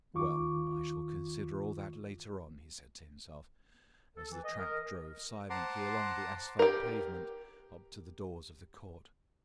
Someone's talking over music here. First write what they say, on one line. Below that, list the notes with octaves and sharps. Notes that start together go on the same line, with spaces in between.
"Well, I shall consider all that later on," he said to himself, as the trap drove silently along the asphalt pavement up to the doors of the Court.
D#2 D#3 F4 C#6 D6
A4
E3
D#5
A#4 D#5
C5 F#5 A5 A#5 C6 D6
G4 A#4